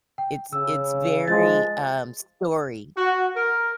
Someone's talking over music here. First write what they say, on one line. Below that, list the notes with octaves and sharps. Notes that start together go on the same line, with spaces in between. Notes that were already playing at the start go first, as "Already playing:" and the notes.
It's it's very, um, story.
G5
C#3 E6
F3 G#3 A6
F#4
A#4